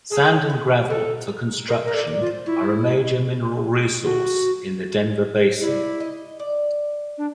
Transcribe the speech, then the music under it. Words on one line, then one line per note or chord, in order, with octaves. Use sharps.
Sand and gravel for construction are a major mineral resource in the Denver Basin.
G#4 A4
B4
A4 A#4
A#4
A#4 C5
A#4 D5
A4
D5
F4
C5
E4 C#5
F#4
E4 D5
D#5
D5
D4